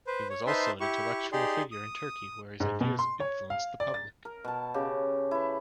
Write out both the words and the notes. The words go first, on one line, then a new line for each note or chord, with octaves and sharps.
He was also an intellectual figure in Turkey where his ideas influenced the public.
B4 C5
C#5
D#4 B4 C5 E5 A5 C6
E4 G4 C#6
D#4 G4 G#4 D5 C6
D#6
G#2
B2
C6
C#5
F5
D5
A6
A#4
B2 A5
C#3 G4
E4 B4